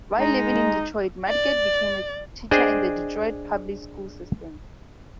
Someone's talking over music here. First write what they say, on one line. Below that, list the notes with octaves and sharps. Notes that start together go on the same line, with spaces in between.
While living in Detroit, Madgett became a teacher in the Detroit public school system.
G#3 D#4 A#5
D5
D4 G#4 C5 D#5 G5